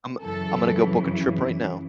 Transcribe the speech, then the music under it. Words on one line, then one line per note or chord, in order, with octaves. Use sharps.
I'm I'm gonna go book a trip right now.
F#2 C#3 E3 A4